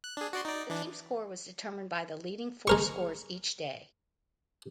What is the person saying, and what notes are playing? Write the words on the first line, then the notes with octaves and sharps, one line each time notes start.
The team score was determined by the leading four scores each day.
F#6
D4 G#4
F#4 D5 C6
D#4 D5
E3 D4
G#3 A#4 C#6